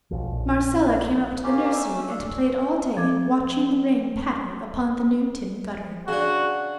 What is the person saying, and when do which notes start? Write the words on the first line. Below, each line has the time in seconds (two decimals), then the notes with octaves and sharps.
Marcella came up to the nursery and played all day, watching the rain patter upon the new tin gutter.
0.11 B1 F2 F3
0.32 A#1
1.44 A#3 C#4 F4 G4
1.73 A3 C#4 E5
2.08 D4 A4
2.97 F3 C4 A4 D6 G#6
6.08 C#3 D4 F#4